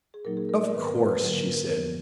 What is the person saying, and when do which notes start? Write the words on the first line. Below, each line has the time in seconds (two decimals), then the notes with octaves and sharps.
"Of course," she said.
0.14 G#4
0.25 A#2 F#3 A#3 D#4 A#4
0.37 G#4
0.49 A#4
0.61 D5
0.68 A#4
0.73 G#2 D#3 G#3 B3 B4
0.86 A#4
0.97 B4
1.09 B4
1.21 D3 F#3 A#3 A#4
1.38 A#4
1.53 A#4
1.69 F2 F3 B3 A#4